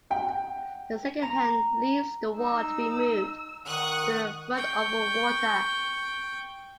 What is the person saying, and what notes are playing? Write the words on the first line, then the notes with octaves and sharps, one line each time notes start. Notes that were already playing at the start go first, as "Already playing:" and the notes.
The second hand leaves the wall to be moved to the front over water.
F#5 G5
A#5
D#4 E6
D#3 F#5 C#6 D#6 F#6
G5 C#6